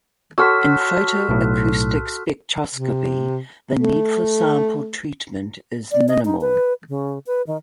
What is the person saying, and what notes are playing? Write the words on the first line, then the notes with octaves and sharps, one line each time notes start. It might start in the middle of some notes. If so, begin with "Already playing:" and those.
In photoacoustic spectroscopy the need for sample treatment is minimal.
F#4 A4 C5 C#5 E6 F6 B6
B1 A2
C3
A3
D5
D#5
D#4
B4
C#3
B4
D#3